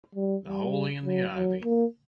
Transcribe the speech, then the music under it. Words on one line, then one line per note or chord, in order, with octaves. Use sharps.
The Holly and the Ivy.
G3
G3
F#3
F#3
A#3